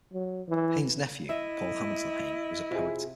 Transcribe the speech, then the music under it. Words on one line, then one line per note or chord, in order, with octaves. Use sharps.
Hayne's nephew, Paul Hamilton Hayne, was a poet.
F#3
E3
E4 D#5 E5
C3 F4 G#4